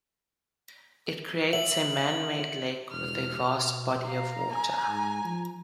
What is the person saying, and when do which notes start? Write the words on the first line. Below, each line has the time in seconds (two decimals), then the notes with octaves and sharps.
It creates a manmade lake with a vast body of water.
1.53 E5 F#7
2.92 E1 F6
3.40 B2
4.05 F5 A#5
4.49 G#5
4.87 G#2
5.24 F3